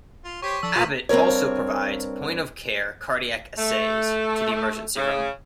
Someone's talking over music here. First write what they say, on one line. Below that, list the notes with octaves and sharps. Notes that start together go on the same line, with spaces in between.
Abbott also provides point-of-care cardiac assays to the emergency room.
F4
G4 C5 C#5 C#6 B6
F3 D4 A4 E6
A1 B2 F4 B4 C5 B5 D#6 A6
G2 C4 G#4 A#4 C#5
A3
C#3